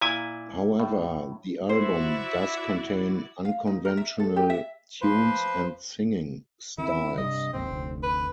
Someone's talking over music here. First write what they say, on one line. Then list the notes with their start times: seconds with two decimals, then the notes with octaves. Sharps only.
However, the album does contain unconventional tunes and singing styles.
0.01 A#2 E4 G#5
0.80 A2
1.69 E4 F#4 C5 D5 E5
3.45 F5
3.67 D#4
3.85 A#4
3.97 E5
4.20 A4
4.36 G4
4.50 E5
5.01 F3 B4 C5
6.78 D#3 C4 E4
7.18 G2 C3 G3 D#5
7.54 A1 D#2 G#2 C4
7.67 F1 D2
8.03 B4